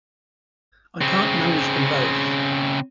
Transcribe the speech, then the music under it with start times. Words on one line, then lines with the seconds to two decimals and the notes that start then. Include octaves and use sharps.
I can't manage them both.
1.01 C#3 C4